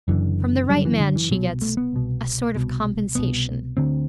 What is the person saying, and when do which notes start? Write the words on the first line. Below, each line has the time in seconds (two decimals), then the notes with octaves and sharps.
'From the right man she gets--a sort of compensation.'
0.08 F#1 F#2 D3 E3
0.69 F#1 F#2 D3 G3
0.85 E3
1.00 D3
1.16 E3
1.31 C2 B2 F#3
1.62 A3
1.77 B3
1.93 C2 B2
2.55 C2 B2
3.15 C2 B2 B3
3.77 D2 D3 C4